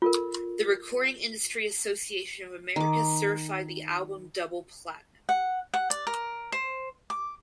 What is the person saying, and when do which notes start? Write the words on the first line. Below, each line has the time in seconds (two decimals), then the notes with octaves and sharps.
The Recording Industry Association of America certified the album double platinum.
0.02 F4 A4 A#4
2.76 D#3 D6
5.29 F#5
5.74 F#5
5.90 D5
6.07 A#4
6.52 C5
7.10 D6